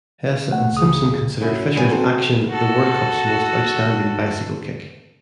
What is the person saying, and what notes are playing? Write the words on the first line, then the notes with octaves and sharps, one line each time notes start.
Hesse and Simpson consider Fischer's action the World Cup's most outstanding bicycle kick.
A3 F#5
C#2 C#3 D#6
C#3 F#3 C#4 E4
A2 D#3 G3 B3 F#4 G#5
C4 F#4 A4 C5
F#4 A4